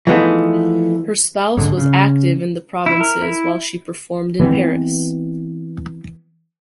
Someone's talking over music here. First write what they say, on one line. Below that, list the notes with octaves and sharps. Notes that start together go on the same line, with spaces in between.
Her spouse was active in the provinces while she performed in Paris.
E3 F3 G#3 A3 B3 D#4
A#1 G#2 D3 G#3
C#3
E4
A#4
E4
E3 G#3 B3 C4